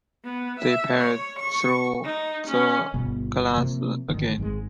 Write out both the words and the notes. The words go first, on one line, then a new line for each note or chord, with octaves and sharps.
They peered through the glass again.
B3
E5
C#5
C#6
D#4
C#4
G1 B2 B3
C3 F3 A#3
G1 G#2 D3 D#3
G#1 G#2 G#3